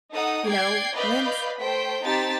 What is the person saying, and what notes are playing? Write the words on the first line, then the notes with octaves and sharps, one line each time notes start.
you know, when's
D#4 A4 F#5 D#6
D5 G5 G#6 C7 D7
B4 D5 D#5 F5 B5 G6
A3 C5 G5 B6
C4 D#4 G4 A5 A6 B6